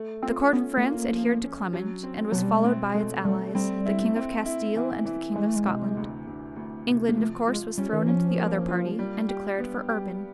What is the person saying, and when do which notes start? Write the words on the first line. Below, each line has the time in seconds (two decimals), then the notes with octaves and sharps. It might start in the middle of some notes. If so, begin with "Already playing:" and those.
The court of France adhered to Clement, and was followed by its allies, the king of Castile and the king of Scotland: England of course was thrown into the other party, and declared for Urban.
Already playing: A3
0.22 C4 F4
0.52 B3 C#4
0.77 A3
0.83 A#3 F4
1.13 F3
1.44 C#4
1.73 F#3
2.03 C4
2.32 B2 F#3
2.43 G3
2.53 G#3
2.64 A3 C4
2.94 G#3 A3
3.24 G3 A3
3.55 G3 C4
3.86 E4
4.16 C4
4.45 E4
4.76 E3
5.05 E3
5.36 E3 G#3
5.46 A3
5.56 G#3
5.66 C3
5.97 D2
6.27 D2
6.56 D2
6.87 C3
7.09 A#3
7.17 F3 A3
7.47 G#3 F4
7.77 G3 C#4
7.93 D#3
8.00 E3
8.07 F3 C#4
8.38 A#3
8.68 F4
8.99 G3
9.29 G4
9.58 B3
9.89 G4